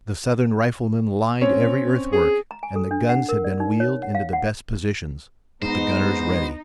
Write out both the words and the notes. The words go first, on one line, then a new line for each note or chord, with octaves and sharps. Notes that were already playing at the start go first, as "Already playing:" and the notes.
The Southern riflemen lined every earthwork, and the guns had been wheeled into the best positions, with the gunners ready.
C4 C#4 C#5
G#4
A#5
G#5
A4
D4
F#5
A#4
D5
D#4
C#5
F#5
F5
F#5
G#2 B3 D#4 C5